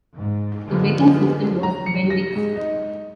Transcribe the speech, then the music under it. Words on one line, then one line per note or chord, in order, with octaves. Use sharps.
The braking system was Bendix.
G#2
D3 F3 G#3 B3
A#5
C#7
A#6
G#2
D#4